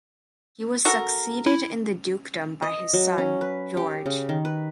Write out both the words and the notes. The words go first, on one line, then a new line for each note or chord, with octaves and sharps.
He was succeeded in the dukedom by his son, George.
F#4 A4 A#4
E4
D#5
F#3
C#4
B4
G4
C#3
D#3
B4